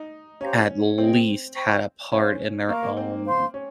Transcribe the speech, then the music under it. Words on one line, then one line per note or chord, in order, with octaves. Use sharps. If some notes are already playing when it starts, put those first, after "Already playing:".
at least had a part in their own
Already playing: D#4
C#4 G4 C5 F5 A#5
C4 G#4 D#5 G5
C5 G5 C#6
C#4 C5 F5 G#5
A#3 A#4 F5 A#5 C#6
A#3
C4
C5 F5 C6
C#4